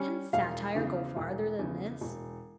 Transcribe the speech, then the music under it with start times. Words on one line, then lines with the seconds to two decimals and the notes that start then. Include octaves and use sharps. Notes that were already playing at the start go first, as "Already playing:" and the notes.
Can satire go farther than this?
Already playing: G3 C#4
0.33 E1 F5
0.75 E2 C#3
1.17 E1
1.59 E2 C#3
2.01 E1